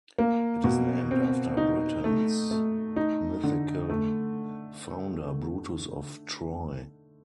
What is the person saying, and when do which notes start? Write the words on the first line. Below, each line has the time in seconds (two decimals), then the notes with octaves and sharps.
It is named after Britain's mythical founder, Brutus of Troy.
0.18 A#3
0.64 B2
1.11 C4
1.57 D#4
2.04 A3
2.51 A3
2.96 D#4
3.43 D3
3.90 A3